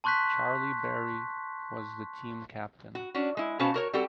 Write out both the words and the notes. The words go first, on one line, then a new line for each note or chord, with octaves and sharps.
Charlie Berry was the team captain.
A5 C6 C#6 F#6 G6 B6
F#4
C#4 D4 F#4
G#3 E4
B2 C#4 F#4 C5 F5 A5
F#4 A#4 C#5
G3 C4 F#4 G4 A4